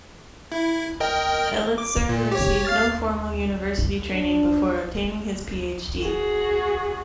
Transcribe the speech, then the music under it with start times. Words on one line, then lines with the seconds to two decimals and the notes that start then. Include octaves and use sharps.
Elitzur received no formal university training before obtaining his PhD.
0.52 E4
1.00 A#4 D#5 G5
1.78 D6
2.09 A#2
2.31 G4 C#5
2.65 F5 F6 A6
4.11 D4
6.03 F#4 G#4